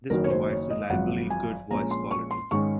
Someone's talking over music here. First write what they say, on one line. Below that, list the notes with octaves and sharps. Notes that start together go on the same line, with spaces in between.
This provides reliably good voice quality.
F#1 F#2 D#3 F#3 A#4
C#5
C5
C#5
D#5
G#1 F#2 F3 F#5
G#5
A#1 A#2 G#3 C#4 A#5
C6
C#6
C6
G#2 D#3 G#3 C#4 C#6